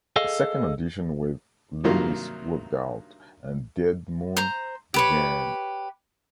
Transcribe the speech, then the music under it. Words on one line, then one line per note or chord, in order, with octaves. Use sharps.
A second audition with Loomis worked out, and Dead Moon began.
G#4 A4 D#5 F5
G2 C3 D#3 F#3 A#3 F4
C5 A#5
G4 B4 C#5